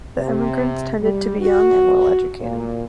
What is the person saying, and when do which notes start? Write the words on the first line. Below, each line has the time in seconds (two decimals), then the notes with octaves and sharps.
The emigrants tended to be young and well educated.
0.17 C3
1.02 G3
1.40 F#4
2.40 A#2